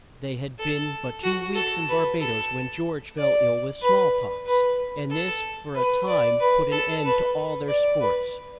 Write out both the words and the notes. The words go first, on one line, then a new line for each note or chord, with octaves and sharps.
They had been but two weeks in Bar-ba-does when George fell ill with small-pox, and this for a time put an end to all their sports.
A4
F#4
A4
B4
A4
D5
B4
B4
A4
B4
D5
B4
A4
B4
D5
B4